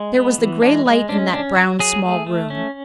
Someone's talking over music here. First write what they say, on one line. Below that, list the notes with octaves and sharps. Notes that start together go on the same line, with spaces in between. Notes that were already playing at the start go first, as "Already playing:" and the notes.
There was the grey light in that brown, small room.
Already playing: G#3
B3
E3
G#3 D4
G#3
C#4 D4
C#4 D4
F#3 F#4
F#3 G#4
A3
A3
C#4